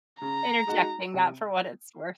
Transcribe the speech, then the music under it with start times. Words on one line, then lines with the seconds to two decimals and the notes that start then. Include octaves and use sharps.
interjecting that for what it's worth.
0.21 C#3 A#5
0.67 G#3 D#4 F#4
1.14 C3